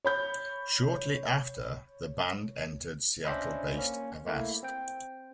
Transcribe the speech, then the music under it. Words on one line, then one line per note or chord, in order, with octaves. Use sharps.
Shortly after, the band entered Seattle based Avast!
C#5 B5 G6
C#4 D4 C5 D#5 E5 B5
A#3 C#4
A3 A#3 E4
C4 G5